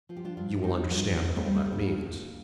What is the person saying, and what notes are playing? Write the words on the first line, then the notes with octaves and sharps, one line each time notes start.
You will understand what all that means.
F3 F4
G4
D4 F4
G2 D4 F4
F4
F3 D#4 G4
G2 D4 F4
D2 C4 D#4
A3 C4
G3
A3
D3 A#3
D2